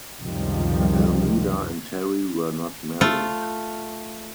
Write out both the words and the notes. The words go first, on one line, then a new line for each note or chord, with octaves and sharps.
Almeida and Terri were not married.
C#2 F#2 C3 D#3 F3 G3
A3 F4